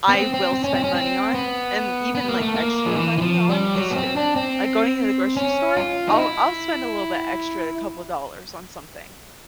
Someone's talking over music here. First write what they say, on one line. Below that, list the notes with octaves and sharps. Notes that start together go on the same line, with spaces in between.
I will spend money on and even, like, extra money on, is food, like, going to the grocery store, I'll I'll spend a little bit extra, a couple dollars on something,
B3
C4
C4
C4
C#4
C4
C#4
C4
B3
B3
A#3
A3
A#3
F3
E3
E3
F3
G3
F#3
B3
C4
D4
C4
C#4
F4
D#4
E4